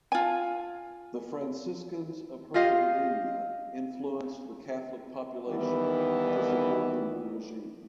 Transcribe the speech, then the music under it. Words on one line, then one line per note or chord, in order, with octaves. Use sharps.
The Franciscans of Herzegovina influenced the Catholic population to support the new regime.
F4 G#5
F4 G4 D#5 F5
D#2 D#3 E3 G3 B3